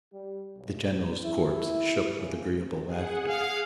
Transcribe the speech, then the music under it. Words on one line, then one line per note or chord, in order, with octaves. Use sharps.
The general's corpse shook with agreeable laughter.
G3
B1
E4
C#3
G#4 F#5
F5